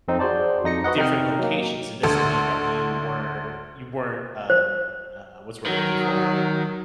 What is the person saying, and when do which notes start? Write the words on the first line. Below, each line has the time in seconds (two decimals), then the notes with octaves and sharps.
different locations, it doesn't mean that you weren't you weren't um, uh, what's the word I'm looking for?
0.08 F2 C4 D#4
0.19 F#4 G#4 C5 D5 A5
0.64 F2 D#4 A#6 C#7
0.84 F#4 B4 D#5 F#5
0.97 C3 D#4 D#5 G5 F6
1.39 F#3 A#3
2.03 D2 A4
4.50 C5
5.66 D#3 F#3